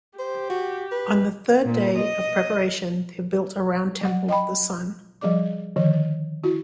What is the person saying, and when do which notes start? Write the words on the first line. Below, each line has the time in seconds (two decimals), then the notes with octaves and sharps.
On the third day of preparation, they built a round temple of the Sun.
0.19 G4 C5
0.50 F#4
0.92 B4
1.65 A#2
1.97 D#5
4.01 F#3 F#5
4.29 D#5 G5 B5
5.21 F3 G3 G#4 D5 D6
5.76 D3 D#3 F3
6.44 E4 F#4